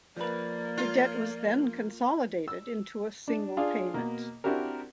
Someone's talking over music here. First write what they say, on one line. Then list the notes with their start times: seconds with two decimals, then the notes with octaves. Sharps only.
The debt was then 'consolidated' into a single payment.
0.17 F3 A#3 B4 D5
0.77 F4
2.48 E6
3.28 D4
3.57 D4 F4 G#4 D5 F5
3.94 B2 A#3
4.44 C4 D4 E4 F#4 G4 A#4